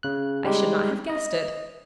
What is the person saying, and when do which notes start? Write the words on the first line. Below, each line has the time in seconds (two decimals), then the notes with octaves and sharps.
I should not have guessed it.
0.03 C#3 F#6
0.44 G3 G#3 D#4 G4
1.10 D#5